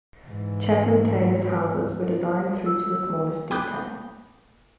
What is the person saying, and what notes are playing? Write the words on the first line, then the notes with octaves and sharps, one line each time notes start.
Chapman-Taylor's houses were designed through to the smallest detail.
G#2 E3
E6
G5 B5 D6 D#6 F#6 G6